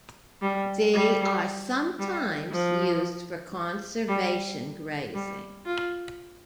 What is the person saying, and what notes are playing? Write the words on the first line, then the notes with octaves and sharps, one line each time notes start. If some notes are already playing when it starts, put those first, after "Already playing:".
They are sometimes used for conservation grazing.
G3
G3
G3
F3
G3
G3
F4